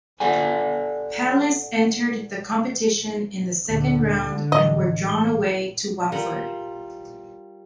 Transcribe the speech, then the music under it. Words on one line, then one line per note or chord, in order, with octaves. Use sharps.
Palace entered the competition in the second round and were drawn away to Watford.
G4 A4 D5 F#5 G#5
D2 A#2 D3
A#1 A2 E3 D#5
G3 F4 A#4 F#5